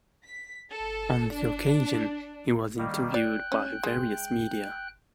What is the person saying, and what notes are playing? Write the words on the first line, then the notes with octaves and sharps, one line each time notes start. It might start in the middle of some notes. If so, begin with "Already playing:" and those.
On the occasion, he was interviewed by various media.
B6
A4
D4
D#3 G3 A#3
D5 G5 F#6
C#4
G#3